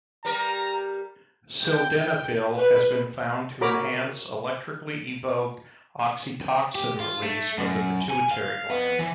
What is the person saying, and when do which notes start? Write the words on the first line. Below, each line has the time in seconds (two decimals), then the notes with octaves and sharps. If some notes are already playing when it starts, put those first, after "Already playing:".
Sildenafil has been found to enhance electrically evoked oxytocin release from the pituitary gland.
0.25 G3 A#4 A#5
1.64 G5
2.57 B4
3.61 F#4 A#4 C#5 A#5 B5 D6
6.75 G4
7.00 F4
7.23 A3
7.58 F#2
8.10 G#5
8.31 F5
8.70 B3
8.99 E3